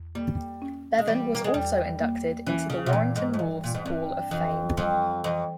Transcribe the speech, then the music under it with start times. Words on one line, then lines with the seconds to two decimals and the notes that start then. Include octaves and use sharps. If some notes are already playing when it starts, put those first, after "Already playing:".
Bevan was also inducted into the Warrington Wolves Hall of Fame.
Already playing: E2
0.15 G3 A#3
0.62 C#4
0.99 G#3
1.07 E3 G3
1.35 A#3
1.44 G#3
1.54 E2 G3
2.00 A#3
2.46 E3 C#4
2.70 C#3
2.86 C3
2.93 A#2 E3
3.16 G#2
3.34 F2
3.39 G2 E3
3.64 A#2
3.75 G#2
3.85 G2 C4
4.31 F2 E3
4.77 F2 G3
5.24 F2 E3